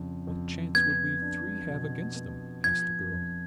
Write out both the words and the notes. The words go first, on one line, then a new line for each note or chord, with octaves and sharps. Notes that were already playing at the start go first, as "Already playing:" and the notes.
"What chance would we three have against them?" asked the girl.
Already playing: F2 C#3
F2
B3 G#6
D4
B2
B3
F3 G#6
F2